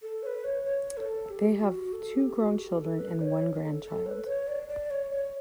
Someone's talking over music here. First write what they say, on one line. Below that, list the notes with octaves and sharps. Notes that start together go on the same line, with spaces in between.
They have two grown children and one grandchild.
A4
C#5
B4
C#5
C#5
A4
G4
F#4
A4
G4
G4
F#4
A4
G4
A4
B4
D5
C#5
A4
A4
C#5
B4
C#5
D5
D5
C#5
C#5